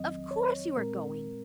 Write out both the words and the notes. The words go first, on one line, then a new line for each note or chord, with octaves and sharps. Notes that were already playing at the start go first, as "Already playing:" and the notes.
"Of course you are going."
Already playing: F2 D#3 F#3 C4 D#5
C#5
A#2 G#3 C4 A#4